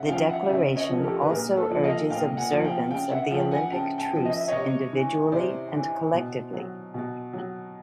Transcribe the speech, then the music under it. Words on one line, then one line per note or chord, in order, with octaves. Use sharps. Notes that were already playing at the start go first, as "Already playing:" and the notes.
The Declaration also urges observance of the Olympic truce individually and collectively.
Already playing: C#3 E5 F#5
F3 F5 G5
E5 F#5
C#3 D5 E5
C#5 D#5
F3
A#4
G4 A4
B4
A#2 G#4 A#4
A4 B4
F3
D#5 F5
A#2 F5 G5
F#5 G#5
F3
F5 G5
C#3 F5 G5
E5 F#5
F3 F5 G5
F#5 G#5
C#3 G5 A5
G5 A5
F3
D#5
E5
C3 C#5 D#5
E3
C3 C5 D5
E3
B2
F#3
B2
F#3